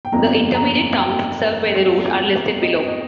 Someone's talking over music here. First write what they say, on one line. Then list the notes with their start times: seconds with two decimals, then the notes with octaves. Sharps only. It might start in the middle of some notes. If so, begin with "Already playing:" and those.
The intermediate towns served by the route are listed below.
0.05 G5
0.12 G1 F2 F3 A#3 A#5
0.54 A#5
0.96 G5
2.62 D#5
2.88 D#5